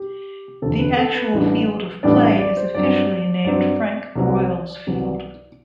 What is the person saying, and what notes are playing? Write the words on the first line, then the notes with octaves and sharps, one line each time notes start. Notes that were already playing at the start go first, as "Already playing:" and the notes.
The actual field of play is officially named "Frank Broyles Field".
Already playing: G4
E1 D2 C3 A4
B4
A4
B4
A1 A2 G3 B3 D4
A1 A2 G3 B3 D4 D5
E5
D5
C5
G2 F#3 C4 D5
G2 F#3 C4 D5
C2 C3 F#3 B3
C2 C3 F#3 B3